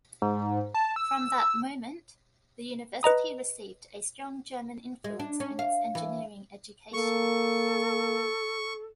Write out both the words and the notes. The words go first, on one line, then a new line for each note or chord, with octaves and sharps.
From that moment, the university received a strong German influence in its engineering education.
G#2
A5
E6
B4 D#5 A#5 D#6
G#3
D4
C#4
F5
E3
A#3 A4 C#6